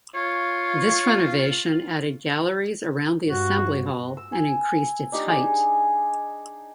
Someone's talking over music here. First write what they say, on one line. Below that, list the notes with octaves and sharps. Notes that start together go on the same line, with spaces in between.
This renovation added galleries around the assembly hall and increased its height.
F4 C#5
G2 F#4
E6
G#5
D4 D#4 G4 D#6
G#4 G#5